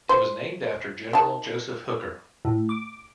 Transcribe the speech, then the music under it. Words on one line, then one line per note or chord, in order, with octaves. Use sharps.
It was named after General Joseph Hooker.
C5
D#3 A5
A2
D6